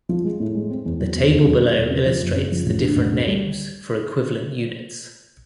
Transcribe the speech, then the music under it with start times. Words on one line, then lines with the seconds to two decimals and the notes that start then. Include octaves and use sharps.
The table below illustrates the different names for equivalent units.
0.09 F3
0.24 G#3
0.40 A2
0.55 G#3
0.70 C4
0.86 E2
1.00 F#3
1.15 E2
1.31 D#2
1.45 F#3
1.60 A#3
1.75 E1
1.91 C#3
2.06 F3
2.22 F#1
2.36 C#3
2.52 F3
2.66 A1
2.82 D3
2.96 A1
3.12 D2
3.27 G3